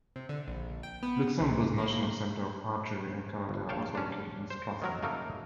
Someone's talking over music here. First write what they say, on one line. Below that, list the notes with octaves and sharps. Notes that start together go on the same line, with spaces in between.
Luxembourg's national center of archery and karate are also located in Strassen.
C3
D3
A#1
G5
B3
C2
A#3
G1
A#1 C#5 F5 G5 A5
C#4 D4
C5
D#3 F#3 A#4
C#3 F#3 A3 A#3 D#4 A#4